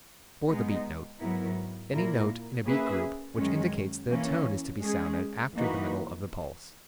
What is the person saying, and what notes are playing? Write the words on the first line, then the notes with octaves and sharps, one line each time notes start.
Before-the-Beat Note: Any note in a beat-group which indicates that a tone is to be sounded after the middle of the pulse.
G#3 B3 D#4
G#2 F#3 B3 E4 A#4
A#2 A#3 E4 A#4
A#3 C#4 G#4 B4 E5
F#2 D#3 G#3 C#4
E3 A#3 C#4
G#3 C#4 G#4
E3 A#3 D#4 F#4 B4